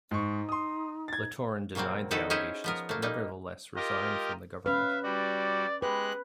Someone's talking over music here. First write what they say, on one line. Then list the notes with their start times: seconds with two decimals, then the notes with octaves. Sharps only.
Littorin denied the allegations, but nevertheless resigned from the government.
0.11 G#2 D#4 C#6
0.49 C6 D#6
1.08 G#6 A6
1.75 A#2 C#3 F#3 A#3 C4
2.11 D#3 D#4 E4 F#4 A4
2.30 C#4 D#4 E4 G#4 C5 C#5
2.64 F3 B3 A#4
2.89 A3 A#3
3.02 G3 A#3 D#4
3.76 F4 G4 A#4 D#5
4.66 C#4 B4 E5 F5
5.04 G3 F#4 D5
5.82 G#3 G4 B4 F#6